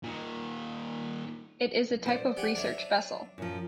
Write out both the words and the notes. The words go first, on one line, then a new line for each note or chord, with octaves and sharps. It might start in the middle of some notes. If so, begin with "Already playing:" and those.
It is a type of research vessel.
A#2 D#3
C5 D5
G4 F#5 G#5
D4 C#5 E5
F#2 F3